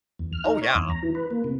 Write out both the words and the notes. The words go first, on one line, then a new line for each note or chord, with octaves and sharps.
Oh, yeah.
E2
F6
D#4
C#5
E2
A#5
E3
B4
A#3
C3